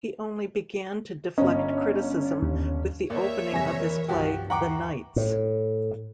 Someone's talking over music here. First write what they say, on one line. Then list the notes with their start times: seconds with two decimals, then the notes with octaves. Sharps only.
He only began to deflect criticism with the opening of his play, "The Knights".
1.38 G1 C#4 D#5
2.42 D#2
3.10 D#2 A#3 C#5 D5 E5
3.52 C2 F2 E3 G#5 A#6
3.80 E3 A#4
4.08 C2 G2 F3 F#4 G4
4.50 D#2 E3 F#5 G5 A#5 C#6 D6
5.16 A2